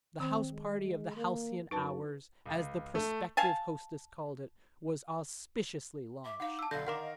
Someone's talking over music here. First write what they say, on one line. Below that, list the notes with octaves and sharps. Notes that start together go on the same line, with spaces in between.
The house party of the halcyon hours, as the prospective hostess called it, was auspiciously launched.
D#3 C4
G#3
A#3
F#2 D#4 B4 A5
C#2
A3
F5 G#5 A5
E5 D6
D#4 F5 F#5
A5 E6
B1 D3 D5 F5 G6 A#6
D#3 A#4 F#5 C6 D6 E7
D#5